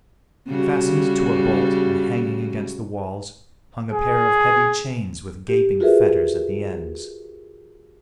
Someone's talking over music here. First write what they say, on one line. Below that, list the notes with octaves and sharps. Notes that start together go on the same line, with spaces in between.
Fastened to a bolt and hanging against the walls, hung a pair of heavy chains with gaping fetters at the ends.
C#3 G3 F#4
G#4
G4
F4 F#4 G#4 A#4 B4 E5